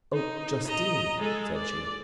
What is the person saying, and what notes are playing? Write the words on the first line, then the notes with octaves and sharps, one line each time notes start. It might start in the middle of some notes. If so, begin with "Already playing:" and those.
"Oh, Justine!" said she.
D#4
D#5 A#5
G#3 A4
D5